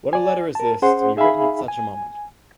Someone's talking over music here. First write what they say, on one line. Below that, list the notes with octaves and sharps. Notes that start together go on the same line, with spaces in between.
What a letter is this, to be written at such a moment!
D5 G#5
A#4 A5
C#4 G#4 C5 F#5 C6
D#4 G#4 E5 F5 G#5 B5
G#5